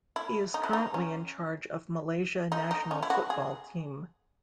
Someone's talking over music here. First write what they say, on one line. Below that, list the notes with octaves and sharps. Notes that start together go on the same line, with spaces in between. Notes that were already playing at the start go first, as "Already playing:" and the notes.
He is currently in charge of Malaysia national football team.
E4
D#4
E4
D#4
C#4
D#4
D#4
C#4
E4
F#4
G#4